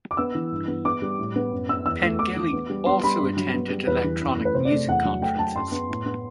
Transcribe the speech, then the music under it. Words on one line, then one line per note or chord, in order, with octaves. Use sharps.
Pengilly also attended electronic music conferences.
D6
B3 E6
E3
G2
B3
B3 D6
G3
A2
B3
F#2
B3 E6
E2 E6
A3
B3 D6
E3
B3
G3
B3 C6
G3 B5
G2
F#3
B3
G3
E2 B4
E3
F#2
A3
B4
C3 C5
D5
A3
E2 F#5
F#3
A3 G5
F#3 A5
F#2 C6
B3
A2
B3